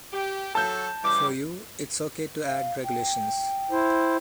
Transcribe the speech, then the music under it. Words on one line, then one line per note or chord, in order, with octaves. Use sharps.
For you, it’s ok to add regulations.
G4
F#3 A4 A5 G6
C#3 E3 G3 D6
F5
G5
E4 C5